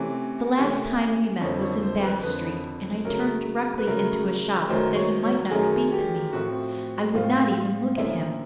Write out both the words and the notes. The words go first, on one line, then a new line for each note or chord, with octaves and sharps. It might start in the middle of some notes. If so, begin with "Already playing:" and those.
The last time we met was in Bath Street, and I turned directly into a shop that he might not speak to me; I would not even look at him.
Already playing: C3 E3 A3 C#4
C3 E3 A3 C#4
F2 D3 F3 C#5
C#5
C5
B4
F2 D3 F3 B4
C#3 F#3 A3 A#4
B4
C#3 F#3 A3 A#4
F#2 D#3 F#3 A3 C5
C#5
C#5
F#2 D#3 F#3 A3 G#4
G4
A2 F3 A3 C4 F#4
A2 F3 A3 C4 F4
D3 F3 A#3 C#4 E4